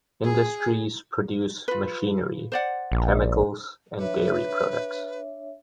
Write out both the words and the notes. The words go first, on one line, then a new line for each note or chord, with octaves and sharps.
Industries produce machinery, chemicals and dairy products.
G#4
F4 B4
C5 D5 F#5
A#1
D4 B4 C#5 E5